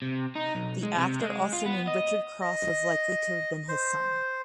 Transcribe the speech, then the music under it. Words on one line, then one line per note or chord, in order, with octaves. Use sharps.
The actor also named Richard Cross was likely to have been his son.
C3
D#4
B1
G#3
C3
G#3
F4
B3
D#5
D#5
C5